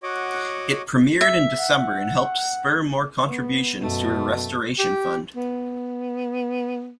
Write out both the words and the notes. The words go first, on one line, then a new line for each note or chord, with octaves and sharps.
It premiered in December and helped spur more contributions to her restoration fund.
F#4 C#5 D#5 F#5 D6
E5
F#5
B3
F#2 B2 A3
G4
B3